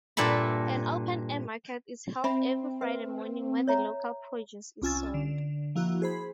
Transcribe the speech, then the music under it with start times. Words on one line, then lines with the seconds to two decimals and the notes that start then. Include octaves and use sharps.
An open-air market is held every Friday morning where the local produce is sold.
0.17 G2 A#2 A4 E5 B5
2.24 C4 E5 B5
2.81 B4 E5
3.68 C#5 E5 A#5
4.82 C2 C#4 F4 G#5 E6 A6
5.14 D3
5.75 F3 A#3 E4 F#4
6.02 G#4 C5 B5